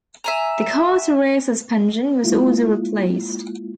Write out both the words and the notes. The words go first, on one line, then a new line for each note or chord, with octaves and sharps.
The car's rear suspension was also replaced.
E5 G#5 A#5
G#3 A#3 E4 F4